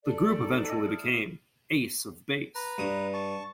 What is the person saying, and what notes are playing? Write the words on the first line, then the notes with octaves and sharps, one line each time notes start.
The group eventually became Ace of Base.
A4 D5
D#4
D#5 G#5 E6
E4 D#6 F6
B4 A#5
G2 D#6
A5 C#6